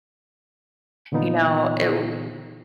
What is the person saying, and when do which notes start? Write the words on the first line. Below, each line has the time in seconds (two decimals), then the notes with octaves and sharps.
You know, it w
1.12 A#2 D3 E3 B3 D#4 F4